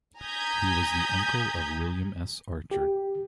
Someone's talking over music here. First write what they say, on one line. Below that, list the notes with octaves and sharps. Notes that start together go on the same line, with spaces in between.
He was the uncle of William S. Archer.
G#5 A#5 D#6 G6 G#6 B6
G4